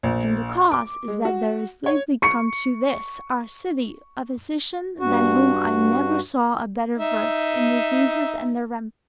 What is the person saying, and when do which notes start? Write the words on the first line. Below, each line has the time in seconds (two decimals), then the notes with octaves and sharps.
And the cause is that there is lately come to this our city a physician than whom I never saw a better versed in diseases and their remedies.
0.03 A#1
0.72 D6
1.08 G#3
1.25 F#4
1.86 C#5
2.22 C#6 C#7
4.99 G2 F#4
6.98 D#4 E5